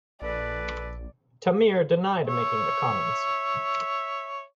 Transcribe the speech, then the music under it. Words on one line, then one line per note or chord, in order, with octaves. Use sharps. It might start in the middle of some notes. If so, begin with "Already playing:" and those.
Tamir denied making the comments.
A#1 A4 B4 D5
C#5 E5